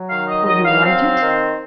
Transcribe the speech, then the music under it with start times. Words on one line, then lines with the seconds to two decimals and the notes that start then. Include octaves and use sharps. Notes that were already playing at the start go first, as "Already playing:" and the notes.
"Will you write it?"
Already playing: F#3
0.09 D#3 F5
0.28 D#5
0.46 F#3 D#5
0.65 F5
0.83 C4 F5
1.21 D#3